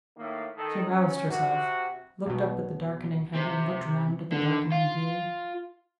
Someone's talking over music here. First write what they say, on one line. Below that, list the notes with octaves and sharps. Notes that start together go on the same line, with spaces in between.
She roused herself; looked up at the darkening heaven, looked round at the darkening view.
A2 D#3 A#3
D#3 A4
C#4
C3 F#4
B1 B2
C3
D3
F4